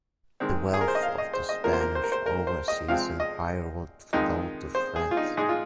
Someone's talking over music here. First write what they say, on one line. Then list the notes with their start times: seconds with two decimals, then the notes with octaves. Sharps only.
The wealth of the Spanish overseas empire would flow to France.
0.40 D#3 G#3 C4
0.74 G#4
0.81 A#4
0.88 C5
0.95 D#5
1.02 F5
1.18 D#5
1.33 C5
1.49 D#5
1.64 C3 F3 A#3 A#4
1.73 C5
1.80 A#4
1.95 C5
2.04 A#4
2.12 C5
2.26 A#4
2.47 C5
2.68 D#5
2.88 C3 F3 G#3 C4 F5
3.20 D#5
4.13 F2 D#3 G#3 D#4
4.75 C5
4.96 G#4
5.11 F4
5.17 D#4
5.37 G#2 G#3 D#4 G#4
5.49 F4